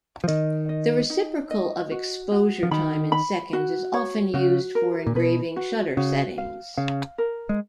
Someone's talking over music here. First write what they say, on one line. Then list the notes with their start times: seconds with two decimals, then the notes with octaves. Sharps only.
The reciprocal of exposure time in seconds is often used for engraving shutter settings.
0.24 F3
0.28 D#3 D#5
0.69 D#5
1.10 D#4
1.51 D#5
1.91 F#4
2.32 F#4
2.63 F3
2.71 D#3 B5
3.12 B5
3.53 F#4
3.94 C#5
4.34 C#3 F#4
4.75 A#4
5.07 A#2
5.15 B2 B4
5.56 F#4
5.97 C#3 F#4
6.38 F5
6.77 C#3 F5
7.18 A#4
7.49 G#3